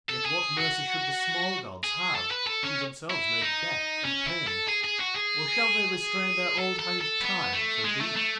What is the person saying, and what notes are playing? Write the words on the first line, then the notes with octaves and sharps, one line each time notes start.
Yet what mercy should the small gods have, who themselves made Death and Pain; or shall they restrain their old hound Time for thee?
A4
G#4
F#4
G#4
A4
B4
A4
C#4
E4
D#4
C#4
E4
A4
G#4
G#4
F#4
G#4
A4
A4
A4
B3
A3
G#3
A3
A3